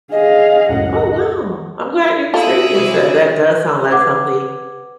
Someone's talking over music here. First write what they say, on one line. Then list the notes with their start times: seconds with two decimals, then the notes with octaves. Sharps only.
Oh, wow. I'm glad you experienced that. That does sound like something
0.12 G#4 D#5 F5
0.69 C#2 F#2 A2 F#5
2.34 E4 F4 G#4 A4
2.75 C3 F#3
3.91 B4 F#5 D6 G#6